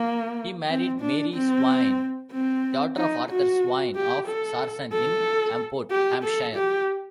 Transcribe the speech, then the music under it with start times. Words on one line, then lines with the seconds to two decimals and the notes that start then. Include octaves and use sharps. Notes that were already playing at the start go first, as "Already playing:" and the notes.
He married Mary Swayne, daughter of Arthur Swayne of Sarson in Amport, Hampshire.
Already playing: A#3
0.69 C4
1.01 D4
1.34 C4
2.32 C4
2.97 D#4
3.30 F#4
3.96 G4
4.27 A4
4.93 A4
5.91 G4
6.24 A4
6.56 G4